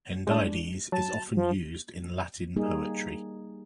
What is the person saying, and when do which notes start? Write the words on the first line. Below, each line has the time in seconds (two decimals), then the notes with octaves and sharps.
Hendiadys is often used in Latin poetry.
0.27 G#3 D4
0.92 F#3 A5
1.36 F3
2.56 G3 A#3 D#4 G#4